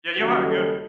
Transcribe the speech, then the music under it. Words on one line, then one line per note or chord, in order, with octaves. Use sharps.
Yeah, you had a good
F#1 F#2 D#3 G3 F#4
A4